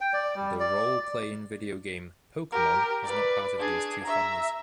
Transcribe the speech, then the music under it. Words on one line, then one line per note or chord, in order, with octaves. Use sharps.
The role-playing video game, Pokémon, is not part of these two families.
G5
D5
G3
D5
G4 A#4
B4 D5
D4 G#4
E5 A#5